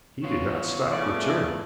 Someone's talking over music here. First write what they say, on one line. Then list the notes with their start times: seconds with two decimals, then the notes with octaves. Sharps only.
He did not stop or turn.
0.24 B3 F4 C#5
0.93 A1 C#3 A3 E4 D5